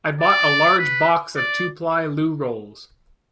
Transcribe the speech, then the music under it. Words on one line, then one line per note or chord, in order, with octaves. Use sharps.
I bought a large box of two-ply loo rolls.
D5
B4
D5